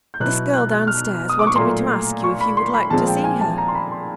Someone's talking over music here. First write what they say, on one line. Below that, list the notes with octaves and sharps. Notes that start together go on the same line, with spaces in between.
This girl down-stairs wanted me to ask you, if you would like to see her.'
G6
B2 F#3 B3 E4 F#6
F#6
F#6
F6
D#6
D6
C#6
A#2 F#3 A3 C6
C#6
B5
C6
B5
A#2 F3 G#3 C4 A5
G5
G#5
A5
A#5
C6
B5
C6